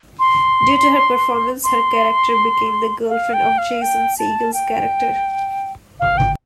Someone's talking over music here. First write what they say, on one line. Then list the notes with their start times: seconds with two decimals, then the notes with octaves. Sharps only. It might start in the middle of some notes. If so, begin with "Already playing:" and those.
Due to her performance, her character became the girlfriend of Jason Segel's character.
0.19 C6
1.64 C6
3.09 F5
3.33 G5
3.58 F5
3.82 G5
4.18 A5
4.54 G5
6.00 F5
6.17 G5